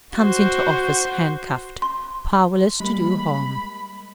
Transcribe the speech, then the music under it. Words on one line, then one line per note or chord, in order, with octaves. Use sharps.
It comes into office handcuffed, powerless to do harm.
F#4 C5
C6
G3 G#3 A#3 B5